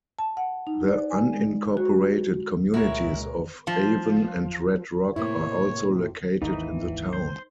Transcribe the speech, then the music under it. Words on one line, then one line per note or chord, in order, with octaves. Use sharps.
The unincorporated communities of Avon and Red Rock are also located in the town.
A5
F#5
D#4
D5
G#5
G#3
F#4
C#2 A#2 G#3 E4 F#4 A#4 C#5
F3
A2 C3 A#3 E4 C#5
G#1 D#2 E3 D#4
C5